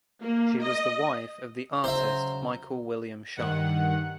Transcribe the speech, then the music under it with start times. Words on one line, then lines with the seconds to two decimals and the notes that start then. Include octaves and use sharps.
She was the wife of the artist Michael William Sharp.
0.22 A#3
0.61 D#5
1.84 C#3 F#3 C5 E5 A#5
3.36 G2 D#3 F#5